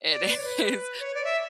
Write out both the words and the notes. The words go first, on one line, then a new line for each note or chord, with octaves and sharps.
it is
D5
B4
C#5
B4
C#5
D5
E5